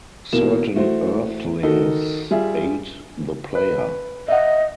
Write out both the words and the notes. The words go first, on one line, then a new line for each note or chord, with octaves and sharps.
Certain Earthlings aid the player.
B2 E3 A#3 E7
E3 A3 F#4 C5
D#3 D#4 F#4 A4
G3 F4 G#4 E5
B4
D#5 E5 F#5